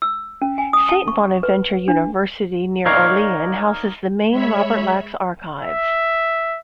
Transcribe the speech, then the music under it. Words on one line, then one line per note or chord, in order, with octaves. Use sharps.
Saint Bonaventure University, near Olean, houses the main Robert Lax archives.
E6
C#4
G#5
D#6
A5
C#6
B4
D4
D#4 A#4 C#5 D5 F5
G#3 C#5 E5 B5
E5